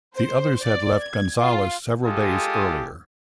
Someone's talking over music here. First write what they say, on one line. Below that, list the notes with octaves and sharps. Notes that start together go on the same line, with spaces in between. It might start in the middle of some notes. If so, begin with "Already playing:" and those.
The others had left Gonzales several days earlier.
C5
D5
G#6
F4
G#3 F4 G4 A4 G#5 D#6